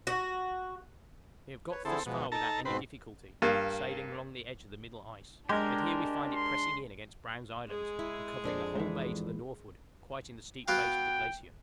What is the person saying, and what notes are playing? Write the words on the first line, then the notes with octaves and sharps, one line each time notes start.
We have got thus far without any difficulty, sailing along the edge of the middle ice; but here we find it pressing in against Browne's Islands, and covering the whole bay to the northward, quite in the steep face of the glacier.
F#4
B4 C#5
D3 C4 E4 G#4 A4
B2 F3 G#3 B3
D#4 A4 A5 A#5
G#2 B2 C4 B4 C5
G2 A#3
G#3 D4 G4 A#4
C6
G#3 G#4
E4
F2 D4 D5
G#2 E3
B3 F#4 F5 G5